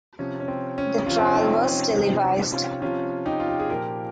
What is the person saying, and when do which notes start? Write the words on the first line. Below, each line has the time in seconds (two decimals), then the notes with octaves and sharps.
The trial was televised.
0.19 C3 F3 C#4
0.40 C#4
0.48 C4
0.78 C#4
1.06 C3 F3 C#4 F4
1.18 C4
1.27 C#4
1.35 C4 D#4
1.56 C4
1.64 C#4
1.89 F4
1.94 C3 F3 C4 D#4
2.23 D#4 G4
2.52 C#4 F4
2.82 C3 F3 C#4 F4
3.26 D#4 G4
3.40 F4
3.50 G4
3.60 G#4
3.69 A#2 F3 G4 A#4